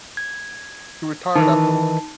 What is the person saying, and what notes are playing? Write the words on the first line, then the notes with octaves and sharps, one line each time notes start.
He retired afterward.
G#6
D#3 E3 D#4 A5